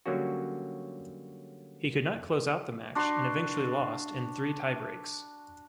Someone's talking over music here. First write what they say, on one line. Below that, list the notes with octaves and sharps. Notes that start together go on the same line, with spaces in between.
He could not close out the match and eventually lost in three tiebreaks.
D3 F#3 G3 A#3 C#4 F#4
D4 F#4 C6